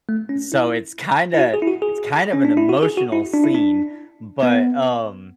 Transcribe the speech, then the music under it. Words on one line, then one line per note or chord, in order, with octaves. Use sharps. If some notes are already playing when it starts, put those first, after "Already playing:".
So it's kinda it's kind of an emotional scene. But, um,
A3
C#4
E4
E4
F#4
G#4
E4
F#4
G#4
C#4
D4
E4
F#4
G#4
F#4
E4
D4
E4
D4
B3